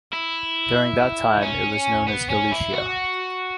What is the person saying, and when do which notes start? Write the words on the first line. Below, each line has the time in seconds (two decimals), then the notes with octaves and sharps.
During that time it was known as Galicia.
0.13 E4
1.42 C#4
2.07 B3
2.30 C#4
2.51 E4
2.73 F#4